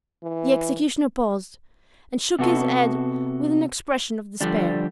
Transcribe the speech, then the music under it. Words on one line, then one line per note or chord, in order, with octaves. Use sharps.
The executioner paused and shook his head with an expression of despair.
E3
C3 B3 F#4 A4
D3 F3 G3 D4